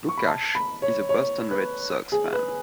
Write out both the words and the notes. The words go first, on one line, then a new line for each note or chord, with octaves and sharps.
Lucash is a Boston Red Sox fan.
C#6
B5
A5
B5
C#5
C#5
B4
G#4
B4